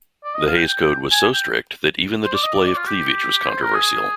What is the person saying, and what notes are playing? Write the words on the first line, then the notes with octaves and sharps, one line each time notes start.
The Hays Code was so strict that even the display of cleavage was controversial.
D5
D#5
F5
G5
G5
G#5
G5
C5
D5
D#5
D5
D5
F4
G4
C5
A#4
G#4